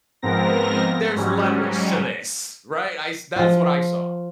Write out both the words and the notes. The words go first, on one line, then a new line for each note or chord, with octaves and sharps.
there's levels to this, right? I s that's what I saw,
G#2 F3 B3 C4 A#4 A#6
G#2 F#3 G3 C#4
F3 F4